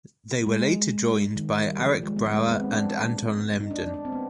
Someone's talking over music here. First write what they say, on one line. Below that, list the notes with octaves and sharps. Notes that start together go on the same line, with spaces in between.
They were later joined by Arik Brauer and Anton Lehmden.
G#3
D#3
G3
F3
G#3
B3
G#3
G#3
B3
C4
D4
D#4
D4
D4
D4
C4
B3